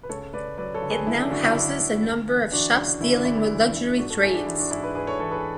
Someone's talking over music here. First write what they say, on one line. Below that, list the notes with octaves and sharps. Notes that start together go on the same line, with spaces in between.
It now houses a number of shops dealing with luxury trades.
B4
C#3 A4 C#5
C#3 B4 D5
F#3 B4 D5
A4 C#5
D2
G#4 B4
C#3 E4
D4
D2 D4 F#4
E4
D2 D4 F#4
D2
D2
E3
E3 D4 F#4
C#3
D2 E4
D4
D2 E4
E4
E3
D2
G#2 D4 F#4
F#4 A4
G#2 E4 G#4
D4 F#4
E3 E4
D4 F#4
G#2 E4 G#4
G#4 B4
G#2 G#4 B4
A4 C#5
E3 A4 C#5
G#4 B4